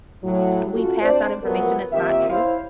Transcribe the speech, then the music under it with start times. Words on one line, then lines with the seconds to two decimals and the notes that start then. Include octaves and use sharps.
We pass out information that's not true,
0.24 A2 F#3
0.72 F#2 F4 F#4 A4
1.02 C4 D4 C5 D5
1.43 F3 F#3 A3 B3 G4 A#4
1.93 A#2 D#3 A#3 C4 G4 E5
2.30 E4 C5 C#5 F5